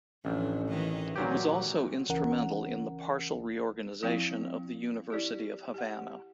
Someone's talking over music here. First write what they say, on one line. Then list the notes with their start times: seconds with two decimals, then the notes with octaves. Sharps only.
He was also instrumental in the partial reorganization of the University of Havana.
0.25 A1 F2 D4
0.68 D#3 E3 D#5
1.16 A#2 F#3 A3 G4
2.09 C#2 E3 C#4 A#4 F#5
4.03 F3 C4 E4 F5 G5
5.10 E4 G4 D5
5.74 G4 F#5